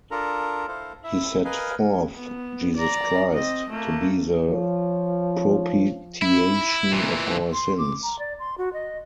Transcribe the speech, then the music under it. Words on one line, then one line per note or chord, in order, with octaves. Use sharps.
He set forth Jesus Christ... to be the propitiation of our sins.
D4 F4 A4 A#4 A#5
E4 A4 C5 F5
E4 E5
A#4 B4 D#5 F5 G#5
B3
D5 A#5
C4 D#5
A3 A#3
F3 C#5
E4
A#2 E3
C6
D6
A#5
D5
C6
F#4
D#5